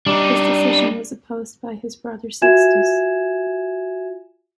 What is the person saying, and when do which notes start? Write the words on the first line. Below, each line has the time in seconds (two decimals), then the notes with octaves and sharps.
This decision was opposed by his brother Sixtus.
0.07 G3 D4 D#4
2.42 F4 F#4 E5 G#5 G#6 E7